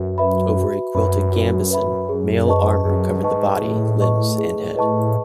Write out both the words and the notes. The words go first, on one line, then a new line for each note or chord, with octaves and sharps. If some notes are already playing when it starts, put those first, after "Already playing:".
Over a quilted gambeson, mail armour covered the body, limbs and head.
Already playing: F#2 F#4 B4 E5
B4 E5 B5
F#4
F#2 B4 E5 B5
F#4
B4 E5 B5
G#4
B4 D#5 A5 C#6
F#2 G#4
G#2 B4 D#5 A5 C#6
A2 G#4
B4 D#5 A5 C#6
G#4
B4 D#5 A5 C#6